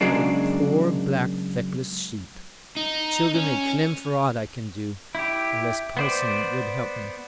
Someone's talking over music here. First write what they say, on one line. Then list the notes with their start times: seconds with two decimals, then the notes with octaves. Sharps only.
I'm a poor black feckless sheep--childer may clem for aught I can do, unless, parson, yo'd help me?'
0.01 C#3 F#3 G#3 A#3 D4
2.77 D#4
3.35 C#4
5.15 E4 G4
5.97 B3 C5 D5